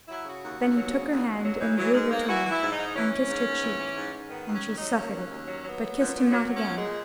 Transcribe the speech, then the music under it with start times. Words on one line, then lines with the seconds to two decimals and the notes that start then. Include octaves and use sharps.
Then he took her hand and drew her to him, and kissed her cheek, and she suffered it, but kissed him not again.
0.08 F#3 E4
0.25 C#3 F#4
0.42 D#2
0.59 D#2
0.76 F#3
0.92 C#3
1.10 D#2
1.26 D#2
1.44 F#3
1.60 E3 D#4
1.77 E3 F#3
1.93 G#2 G#3
2.10 G#2 A#3
2.27 E3 F#4
2.45 E3
2.50 E4
2.61 G#2
2.72 D#4
2.77 G#2
2.94 E3 C#4
3.12 E3
3.28 G#2
3.45 G#2
3.62 E3
3.79 E3
3.95 G#2
4.12 G#2
4.29 D#3 B3
4.46 D#2
4.52 C#4
4.63 D#2
4.74 D#4
4.80 F#3
4.96 D#3 C#4
5.13 D#2
5.30 D#2
5.47 F#3
5.64 F#3 B3
5.81 F#3
5.97 A#2
6.14 A#2
6.31 F#3
6.48 F#3
6.54 C#4
6.65 A#2
6.76 G#3
6.81 A#2